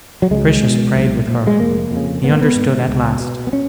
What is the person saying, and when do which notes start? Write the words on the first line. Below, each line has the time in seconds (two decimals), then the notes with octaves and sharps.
Patricius prayed with her; he understood at last.
0.22 F#3
0.31 C#2 G#3
0.62 B2
0.95 B1
1.28 A#2
1.47 G#3
1.59 F1 A#3
1.91 F2
1.96 C#3
2.24 G#1 B3
2.33 A#3
2.42 B3
2.56 G#2
2.88 C#2
3.20 B2
3.47 B3
3.53 C#4